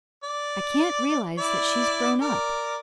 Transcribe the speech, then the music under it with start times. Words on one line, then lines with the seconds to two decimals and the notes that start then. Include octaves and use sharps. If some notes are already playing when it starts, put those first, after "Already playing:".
I can't realize that she's grown up.
0.23 D5
1.38 E4 D5
2.21 A#4 D5